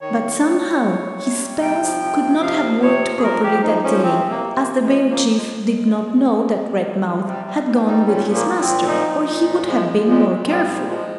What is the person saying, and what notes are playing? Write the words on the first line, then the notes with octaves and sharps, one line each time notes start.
But somehow his spells could not have worked properly that day, as the bear chief did not know that Redmouth had gone with his master, or he would have been more careful.
D#3 C#5
C3
G3
G3
C3
C3
C3
G3
C3 G5
F3
C3
F3
C3 F5
F3
C3 C#5
F3
G#4
F3 A#4
F3 G4
F3 D#4
F3 C#4
C3 C4
C3
A#3
C3
A#3
F3
F3 G#3
F3
A#3
F3
G#3
C#3
C#3
C#3
C#3
F3
C3
C3
D#3
C3
C3 G3
G3
G3
G3 D#4
A#2 C#4
F3
A#3
A#2
C4
A#2
F3 D#4
A#2
A#2
F3
F3 G#3
F3
A#2 G#3
A#2
F3 G3
A#2
F3 G#3